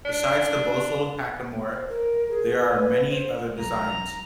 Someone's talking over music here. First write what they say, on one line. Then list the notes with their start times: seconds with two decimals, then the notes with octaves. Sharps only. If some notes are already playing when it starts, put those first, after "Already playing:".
Besides the bosal hackamore, there are many other designs.
0.05 D4
1.70 C5
1.89 A#4
2.31 G#4
2.59 B4
3.10 C5
3.60 B1 A#5